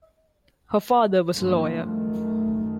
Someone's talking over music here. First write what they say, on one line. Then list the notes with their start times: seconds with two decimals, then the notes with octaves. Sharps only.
Her father was a lawyer.
1.35 G2 C#3 F3 A#3
1.79 F#2 D#3 A3